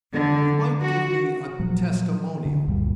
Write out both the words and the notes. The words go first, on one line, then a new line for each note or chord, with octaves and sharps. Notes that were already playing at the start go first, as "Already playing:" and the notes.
"You might give me a testimonial."
D3
F#4
A#2 F3 F#3
D3
C#2 F#2 A#2 G3